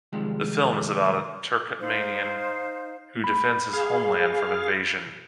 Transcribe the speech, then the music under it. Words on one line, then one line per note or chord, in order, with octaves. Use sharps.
The film is about a Turkmenian who defends his homeland from invasion.
C3 D#3 F3 G3 G#3
D#4 C5 F5
B5
G#4 F5